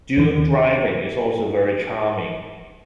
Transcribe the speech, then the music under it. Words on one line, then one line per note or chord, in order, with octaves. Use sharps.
Dune driving is also very charming.
D#2 D#3